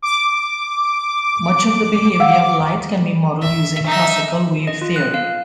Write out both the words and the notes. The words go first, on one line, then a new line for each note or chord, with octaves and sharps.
Much of the behaviour of light can be modelled using classical wave theory.
D6
F5 F#5 E6
E5
D#4 E5
D#5
F4
F#6
F5